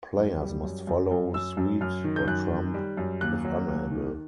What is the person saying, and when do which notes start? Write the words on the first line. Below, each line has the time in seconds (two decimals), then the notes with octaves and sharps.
Players must follow suit or trump if unable.
0.17 F#2
0.41 G3
0.64 F#2
0.87 F#2
1.11 F#2
1.34 F#2 E6
1.57 F#2
1.81 F#2 F6
2.04 D#3
2.16 G6
2.27 F#2 F#6
2.51 D#3
2.74 G3
2.97 F#2
3.21 D#2 F#6
3.45 F#3
3.68 D#2
3.91 D#3